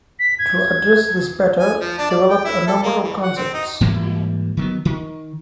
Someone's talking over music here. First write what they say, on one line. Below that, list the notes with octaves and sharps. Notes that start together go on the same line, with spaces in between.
To address this Petter, developed a number of concepts.
B6
G#6
G#5
F3
D4
D5
G5
E4
A4
A#3
E3
F#5
C4
D#4
G#2 E3 G3 A#3
D#3 F#3 B3
D#3